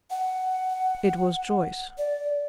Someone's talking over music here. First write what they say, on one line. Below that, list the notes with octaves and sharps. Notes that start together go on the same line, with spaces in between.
"It was Joyce."
F#5
D5